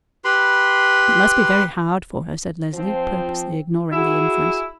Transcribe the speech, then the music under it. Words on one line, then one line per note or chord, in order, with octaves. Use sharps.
"It must be very hard for her," said Leslie, purposely ignoring the inference.
G4 B4 B5 C6
F3 C4
E4 F#4 G#4